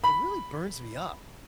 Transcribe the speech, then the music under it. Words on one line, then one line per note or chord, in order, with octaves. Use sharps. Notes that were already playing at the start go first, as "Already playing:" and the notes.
it really burns me up,
B5